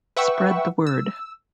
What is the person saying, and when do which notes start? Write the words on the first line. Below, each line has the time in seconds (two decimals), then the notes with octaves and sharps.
Spread the word.
0.17 B4 E5 F#5 G5 C#6 E6
0.87 E6